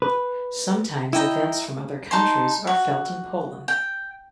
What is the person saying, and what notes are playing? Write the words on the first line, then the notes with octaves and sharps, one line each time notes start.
Sometimes events from other countries are felt in Poland.
B4
E4 D#5 G5 A#5
D#4 A5 C6
F#4
G5